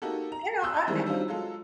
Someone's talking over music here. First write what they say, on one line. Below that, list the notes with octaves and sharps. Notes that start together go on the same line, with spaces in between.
You know, I I
A#3 D#4 F#4 G4 A4
A#5
C6 D#6 E6 F#6 G6
D#3 E3 G3 G#3 C4 E4
F#3 G3 C4 D4 D#4 F4
F#3 G#3 F4 A4